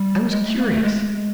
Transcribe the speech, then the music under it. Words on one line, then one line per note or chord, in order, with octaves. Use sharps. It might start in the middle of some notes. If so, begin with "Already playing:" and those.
I was curious.
Already playing: G3
G#3
A3
A#3
A3
G#3